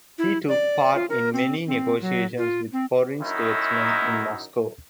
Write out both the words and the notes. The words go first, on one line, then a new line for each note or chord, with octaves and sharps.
He took part in many negotiations with foreign statesmen in Moscow.
E4
D5
F4
A#4
C4
C4
F#3
F4
C4
F#2 D#3 F#3 D#4 E4